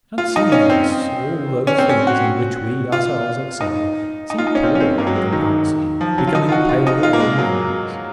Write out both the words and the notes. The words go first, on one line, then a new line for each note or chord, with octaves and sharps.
And, seeing this, all those things in which we ourselves excel seem poor in comparison, becoming pale in our memories.
F4
D#4
C#4
C4
C#4
C4
C#4
F#4
F4
D#4
D#4
F4
D#4
C#4
C4
C#4
C4
A#3
F#3
G#3
D#3
F3
F#3
F4
D#4
F4
F#4
F4
D#4
F4
A#3
G#3
F#3